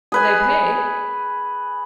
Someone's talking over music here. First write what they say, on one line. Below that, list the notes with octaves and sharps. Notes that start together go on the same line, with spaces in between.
They pay.
G#4 B4 G#5